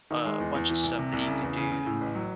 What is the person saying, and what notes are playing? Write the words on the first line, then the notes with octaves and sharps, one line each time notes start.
a bunch of stuff that you could do and
D#3
G#3
E2
E2
E3
C2
C3
C2
C#3
E2
C#3
C#3
A2
A1
F#3